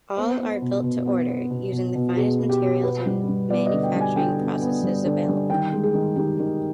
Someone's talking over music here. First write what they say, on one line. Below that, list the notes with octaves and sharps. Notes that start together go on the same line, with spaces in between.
All are built to order, using the finest materials and manufacturing processes available.
B3 C5
B3
B2
B2
B3
B3
B2
B2
B2
B2 G#4
B3
G4
B2
B3 B4
G3
G3
B3 D5
D#5
D3
G5
G3
G#5
D3 G5
B3
B3
G3
D3
G3
D#3 G5
G#3
G#4
D#3
D#3 G4
D#3